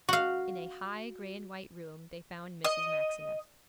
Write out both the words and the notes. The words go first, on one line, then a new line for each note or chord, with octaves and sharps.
In a high gray-and-white room they found Mrs. Maxineff.
F#4 F5
D#5